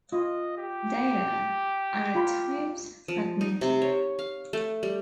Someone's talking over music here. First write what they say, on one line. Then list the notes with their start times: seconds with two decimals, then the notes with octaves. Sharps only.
Data are at times fragmentary.
0.12 F4 D#5
0.57 G4
2.15 F4 A#5 B5
3.08 F3
3.41 D#4
3.61 C3
3.82 C#5
4.19 F5
4.53 A3
4.83 G3